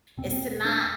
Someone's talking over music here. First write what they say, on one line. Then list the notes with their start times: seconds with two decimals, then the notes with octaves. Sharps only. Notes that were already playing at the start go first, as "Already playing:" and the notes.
is to not,
0.17 E2 B2 C4
0.25 B3
0.32 C4
0.65 D4